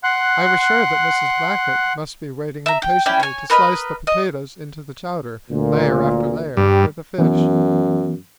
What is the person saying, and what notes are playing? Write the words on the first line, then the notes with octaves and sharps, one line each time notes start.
I was sure that Mrs. Blackett must be waiting impatiently to slice the potatoes into the chowder, layer after layer, with the fish.
F#5 C6 F#6
E5 A#5
G5
C#4 E4 D5 G5
C#5 G#5
A#4 B4 D#5 B5
D#5
D2 A#2
G2 G3
F#2 E3 B3